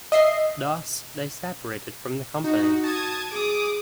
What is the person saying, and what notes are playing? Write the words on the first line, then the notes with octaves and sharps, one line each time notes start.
Thus, they separated from the company.
D#5 E5 C7
D#4 F#4
A5 D#6 G#6
G#4 D6 D#6